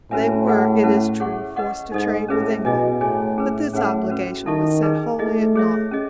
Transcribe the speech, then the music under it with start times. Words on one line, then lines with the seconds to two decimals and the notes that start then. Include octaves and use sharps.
They were, it is true, forced to trade with England, but this obligation was set wholly at naught.
0.11 A2 C#4 F#4 B4 E5 G#5
0.47 E4 G#4 B4 F#5
0.83 C#4 E4 B4 F#5 A5
1.20 G#4 C#5 F#5 C#6
1.56 B4 D#5 F#5 C#6
1.92 G#2 D#4 A4 D#5
2.28 A2 C#4 G#4 B4 E5
2.64 B2 E4 G#4 D#5 G#5
3.01 A2 G#4 C#5 G#5
3.38 C#4 G#4 B4
3.73 A2 C#4 G#4 B4 F#5
4.10 C#4 F#4 B4
4.46 D#3 E4 A4 E5 A5 C#6
4.83 D#4 G#4 B4
5.19 A3 E4 G#4 D#5
5.56 G#4 C#5 E5
5.91 C#4 G#4 D#5